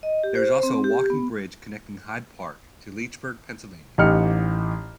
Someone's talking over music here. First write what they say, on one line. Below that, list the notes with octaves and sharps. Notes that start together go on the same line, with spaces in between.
There is also a walking bridge connecting Hyde Park to Leechburg, Pennsylvania.
D#5
G4
C5
C4
G4
B3
A1 A2 D#4 G4 F6 C#7